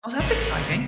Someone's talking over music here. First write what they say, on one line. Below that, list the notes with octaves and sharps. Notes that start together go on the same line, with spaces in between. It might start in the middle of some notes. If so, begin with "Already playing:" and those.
Oh, that's exciting.
A1 C#3 B3